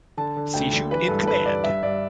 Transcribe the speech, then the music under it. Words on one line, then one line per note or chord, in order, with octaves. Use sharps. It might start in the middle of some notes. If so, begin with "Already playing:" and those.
C. Shute in command.
D3 A5
D3
D2 G5
D3
E3 B4
G2 A4
A4
G2 B4
G2 D5
G2 E5
G2 D5